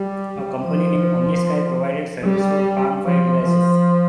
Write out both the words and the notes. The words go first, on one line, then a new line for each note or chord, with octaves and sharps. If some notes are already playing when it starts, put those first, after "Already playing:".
A company named OmniSky provided service for Palm Five devices.
Already playing: G3
F3
G3
F3
F3